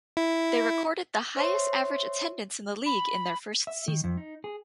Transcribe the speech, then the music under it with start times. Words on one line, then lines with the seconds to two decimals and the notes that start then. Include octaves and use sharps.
They recorded the highest average attendance in the league in their first season.
0.17 E4
1.36 C5 C#5 E5 C6
2.86 B5
3.67 E5
3.88 D#3
4.04 F2
4.17 D#4
4.44 G#4